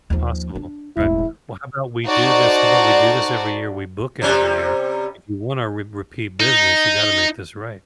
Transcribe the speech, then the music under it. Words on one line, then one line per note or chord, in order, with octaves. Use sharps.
Possible, right. Well how 'bout we do this how 'bout we do this every year, we book it every year. If you wanna re repeat business you gotta make this right.
D#2 F3
D4
E1 A1 E4
D#4 F#4 A4 C5 D5
C3 G3 C#4
D#4